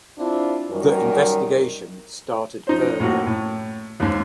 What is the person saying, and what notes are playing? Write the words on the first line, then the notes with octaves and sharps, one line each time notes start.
The investigation started earlier.
C4 D4 E4 F4
F#2 D#3 G3 A#4
F3 D#4 C5
A2 A#3 F#4
A2
D#2 G#2